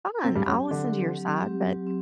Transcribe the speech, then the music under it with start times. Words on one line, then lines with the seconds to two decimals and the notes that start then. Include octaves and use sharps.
fine, I'll listen to your side, but
0.24 C3 F#3 C4
0.35 G2 G3
0.47 F#2 F#3 C4 G4
0.70 D3 F#3 D4
0.94 C4 G4
1.17 F#3
1.41 C4 G4
1.64 F#3
1.87 C4